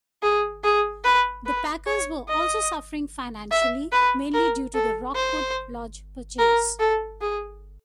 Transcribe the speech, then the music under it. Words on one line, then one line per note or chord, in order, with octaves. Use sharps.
The Packers were also suffering financially, mainly due to the Rockwood Lodge purchase.
G#4
G#4
B4
B4
C#5
D#5
E5
B4
A#4
A4
C5
A#4
A4
G#4